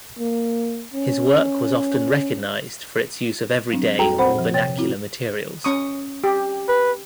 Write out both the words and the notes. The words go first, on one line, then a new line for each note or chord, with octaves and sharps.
His work was often recognized for its use of everyday or vernacular materials.
A#3
C#4
F#3 C4 D4
F2 G3 F#4 A4 G5 A#5
A#2 C4 C5 F#5 B5
F3
C3 C#5 G5 A6
C4 E4 F#4
C#4 C#6 D#6
G4
B4